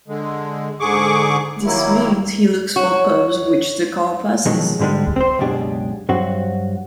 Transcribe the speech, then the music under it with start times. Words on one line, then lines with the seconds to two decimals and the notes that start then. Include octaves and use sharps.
This means he looks for pubs which the car passes.
0.08 D3 G#3
0.80 G#2 D3 G#4 C#6 D6
1.65 D#3 F#3 A#3 E4
2.76 F#4 C#5
4.46 B2 D#3 F3 F#3 G#3
4.79 G#2 D3 G3 G#3
5.16 C4 C5
5.39 C#2 F#2 B2 D4 G4 G#4
6.09 G2 F#3 C4 F#4